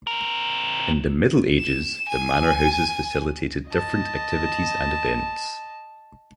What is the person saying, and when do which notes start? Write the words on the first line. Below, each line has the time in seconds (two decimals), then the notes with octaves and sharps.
In the Middle Ages, the Manor Houses facilitated different activities and events.
0.07 C4 A#4
1.59 E7
2.09 G#5
3.70 D#5 A5